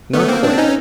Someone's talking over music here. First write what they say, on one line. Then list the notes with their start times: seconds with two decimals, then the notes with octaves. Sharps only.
Not quite.
0.13 A3 B3
0.28 A#3 C4
0.43 C4 D4
0.58 C#4 D#4